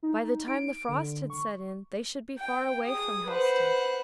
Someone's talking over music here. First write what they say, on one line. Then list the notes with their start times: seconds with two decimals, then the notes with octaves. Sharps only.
By the time the frost had set in, they should be far away from Helstone.
0.03 D#4
0.48 D7
0.89 D3
1.30 C#6
2.38 G5
2.84 G#4 D#6
3.28 B4 C5 F#5